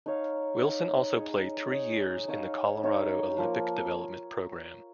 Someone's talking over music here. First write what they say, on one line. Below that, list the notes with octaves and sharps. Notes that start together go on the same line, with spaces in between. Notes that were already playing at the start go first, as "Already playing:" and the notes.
Wilson also played three years in the Colorado Olympic Development Program.
D#4 C#5 F5
D#4 C#5 F5
D#4 G#4 C#5
D#4 G#4 C#5
D#4 C#5 F5
D#4 C#5 F5
F3 A#3